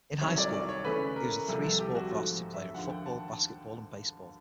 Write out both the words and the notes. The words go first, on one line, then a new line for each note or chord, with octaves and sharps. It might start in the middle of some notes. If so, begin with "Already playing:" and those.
In high school, he was a three-sport varsity player in football, basketball, and baseball.
C2 C3 D#3 F#3 C#5
D5
D5
C#5
C#3 E3 A3 B4
A#4
C2 C3 F3 A4
A4
G4
F#4
G#2 F3 A3
E5
D#2 D3 F3 F#5
G5
A5